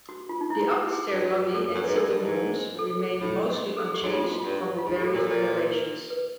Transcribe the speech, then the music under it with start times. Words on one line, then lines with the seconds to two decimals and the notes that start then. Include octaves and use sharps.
The upper stair lobby and sitting rooms remain mostly unchanged from the various renovations.
0.09 F#4
0.29 F4
0.41 D#4
0.50 E4
0.61 F#4
0.71 G4
0.92 G#4
1.12 G2
1.53 F#2 A4
1.74 F#2
1.84 G#2 B4
1.95 G2 A#4
2.09 G2
2.23 G#2
2.79 A4
2.99 G#4
3.20 A2
3.77 A4
3.85 G#4
3.94 G4
4.03 G#2 F#4
4.13 F4
4.24 F#4
4.34 F4
4.44 G2 F#4
4.78 F4
4.85 G#2 F#4
4.96 G4
4.99 A2
5.07 A4
5.14 A#2
5.17 A#4
5.27 A#2
6.10 B4